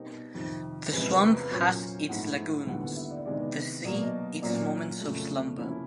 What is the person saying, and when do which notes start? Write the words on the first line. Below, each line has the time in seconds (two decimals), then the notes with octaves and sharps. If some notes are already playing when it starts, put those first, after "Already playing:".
The swamp has its lagoons, the sea its moments of slumber.
Already playing: B2 G3 C4 D#4 A#4
0.34 F2 C3 D#3
0.92 E2 C3 F3 G#3 C#4 B4
1.12 A#4
1.31 B4
1.51 A#2 F#3 A#3 C#4 C5
2.09 G#2 F3 A3 C4 E4 F#5
2.67 D#2 D3 G3 B3 E4 F#5
2.81 F#5
2.96 E5
3.11 D5
3.25 C3 D#3 G#3 B3 D5
3.84 B2 F#3 A#3 D5
4.04 D#5
4.42 A#2 F#3 A#3 C#4 D5
5.01 F2 C#3 F3 A3
5.58 C3 F3 A#3 C#4 E4 C#5